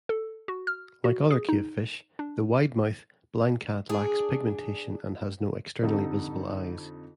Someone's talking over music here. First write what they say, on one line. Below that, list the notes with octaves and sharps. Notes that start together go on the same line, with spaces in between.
Like other cavefish, the widemouth blindcat lacks pigmentation and has no externally visible eyes.
A4
F#4
F6
F#4
G#4
D#4
D4
D4 G#4
F2 D3 D#4 G4 A4